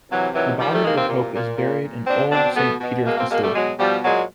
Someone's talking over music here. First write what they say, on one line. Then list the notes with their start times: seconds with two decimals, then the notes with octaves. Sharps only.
The body of the pope is buried in Old Saint Peter's Basilica.
0.10 C3 E3 F#3
0.34 D#3 E3 F#3
0.59 D#3 F3 G3
0.71 G3 A3
0.84 C3 G#3 A#3
0.96 A#3 C4
1.09 A#2
1.33 A#2
1.58 A#2
1.82 A#2
2.07 B2 C4 D4
2.31 B2 C4 D4
2.56 B2 A3 B3
2.80 B2
3.05 B2 G#3 A#3
3.17 A#3 C4
3.29 B2 G#3 A#3
3.42 G3 A3
3.54 B2 F#3 G#3
3.78 B2 F3 G3
4.03 A#2 F#3 G#3